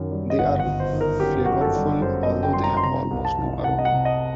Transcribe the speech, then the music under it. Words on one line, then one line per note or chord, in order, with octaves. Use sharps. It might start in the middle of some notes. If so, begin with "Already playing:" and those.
They are flavorful, although they have almost no aroma.
Already playing: F#2 D#3
G3
D#5
G1 F#5
F#5
G1
C5
D#3
A#4
F#2 G4
F#2 F#4
G4
A4
G3
F#2 C5
D#5
F#2
G5
G3 C6
A#5
C6
C3 A#5
C2
A5
C2
C2 F#5
D#5
F#5
C3
D#5